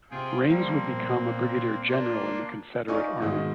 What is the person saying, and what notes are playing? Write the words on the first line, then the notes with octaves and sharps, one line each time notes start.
Rains would become a brigadier general in the Confederate Army.
C3 F4 G#4 G5
F3 G3 A#3 C4
A#2 B3
A#3 D4 F4
D#4 F4 D5 G#5 C#6
G#2 B2 D#3 G#3